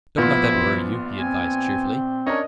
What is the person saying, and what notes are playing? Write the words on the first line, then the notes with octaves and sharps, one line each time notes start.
"Don't let that worry you," he advised cheerfully.
A#1 F3 B3 E4 F4 C6
C4 G#5
C#4 D4 A#4 C#5 D#5